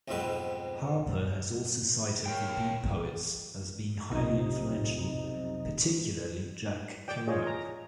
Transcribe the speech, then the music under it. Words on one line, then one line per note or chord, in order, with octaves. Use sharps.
Harper has also cited the Beat poets as being highly influential, particularly Jack Kerouac.
B1 F2 G#2 B2 C4 B4
A#4 C#5 G5
B1 F2 C3 D#4 D#5
D5 G5
F4 G#4 C#5 D#5
A#5